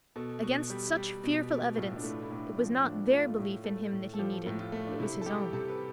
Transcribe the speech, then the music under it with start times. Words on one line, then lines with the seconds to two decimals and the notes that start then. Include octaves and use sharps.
Against such fearful evidence it was not their belief in him that he needed, it was his own.
0.16 B2 A4
0.43 B2
0.70 G3
0.96 G3
1.23 B2
1.50 B2
1.77 A2 F4
1.96 D4
2.04 A3 E4
2.23 E4
2.31 A2 D4
2.57 F3 C4
2.84 A2 D4
3.11 A3 F4
3.38 A2
3.64 A3
3.92 A2
4.14 A4
4.19 F3 G4
4.46 A2
4.59 F4
4.72 A3
4.87 D4
5.00 C3 E4
5.21 A4
5.26 G3 G4
5.53 C3 A4
5.68 B4